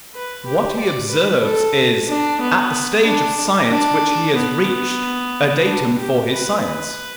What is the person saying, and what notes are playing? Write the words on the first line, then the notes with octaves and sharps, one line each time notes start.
What he observes is, at the stage of science which he has reached, a datum for his science.
B4
G4
D5
B4
A4
D4
B3
D4
D4
B3
D4
G4
B4
B4